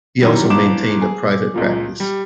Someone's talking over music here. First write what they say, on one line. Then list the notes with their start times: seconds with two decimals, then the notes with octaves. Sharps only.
He also maintained a private practice.
0.22 F#2 D#3 E3 F#3 G3
0.50 G1 E3 D6 E7
1.01 G#4
1.54 C#2 A#2 F3
2.00 G3